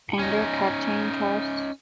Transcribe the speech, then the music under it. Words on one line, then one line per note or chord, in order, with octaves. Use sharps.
Under Captain Thos.
C#4 D#4